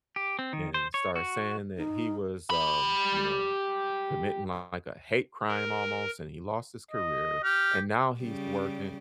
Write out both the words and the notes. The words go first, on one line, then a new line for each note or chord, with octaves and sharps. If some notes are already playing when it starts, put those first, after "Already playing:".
and started saying that he was, um, you know, p committing, like, a hate crime almost, and he lost his career and now he's working
G4
C4
D#3
C5
C#5
F#4
D#4
G4 B5
A#4
D#5
G4 F6
C#3 G3